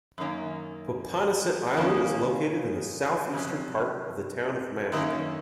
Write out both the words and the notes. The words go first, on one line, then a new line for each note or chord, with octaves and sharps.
Popponesset Island is located in the southeastern part of the town of Mashpee.
F#2 D#3 A#3 C#4
F2 D#3 A#3 C#4
F2 C3 F#3 C#4
F#2 D#3 A#3 C#4